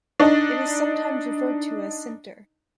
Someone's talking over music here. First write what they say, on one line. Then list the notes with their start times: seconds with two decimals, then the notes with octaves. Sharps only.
It is sometimes referred to as sinter.
0.20 D4 D#4